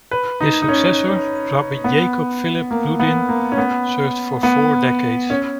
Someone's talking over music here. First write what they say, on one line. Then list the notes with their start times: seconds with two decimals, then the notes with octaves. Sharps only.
His successor, Rabbi Jacob Phillip Rudin, served for four decades.
0.11 B4
0.41 D#4
0.62 D#4
0.68 C#4
1.84 B3
2.71 A#3
3.00 B3
3.29 A#3
3.52 C#4
3.58 B3
4.43 B3
5.30 C#4